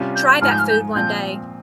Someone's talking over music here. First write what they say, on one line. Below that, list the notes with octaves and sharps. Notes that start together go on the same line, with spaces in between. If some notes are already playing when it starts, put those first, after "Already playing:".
try that food one day.
Already playing: C3 G3 C#4 F4
G6
G#2 F3 G#3 F6
G6
F6
G6
A#2 F3 C4 G6